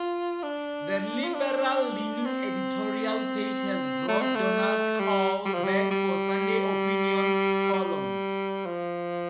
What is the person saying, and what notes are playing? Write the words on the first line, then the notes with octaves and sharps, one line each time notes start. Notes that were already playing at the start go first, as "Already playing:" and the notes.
The liberal-leaning editorial page has brought Donald Kaul back for Sunday opinion columns.
Already playing: F4
D4
F4
D4
C4
A3
C4
A3
G3
G3
F3
G3
G3
G3
F3